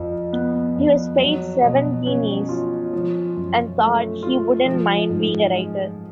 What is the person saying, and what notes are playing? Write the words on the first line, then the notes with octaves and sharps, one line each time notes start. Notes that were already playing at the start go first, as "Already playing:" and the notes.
He was paid seven guineas, and thought he "wouldn't mind being a writer".
Already playing: F2 F3
B3
F2
F#3
B2
C#4
F4
F3
F#2
A3
F4
F3
G#2
G#3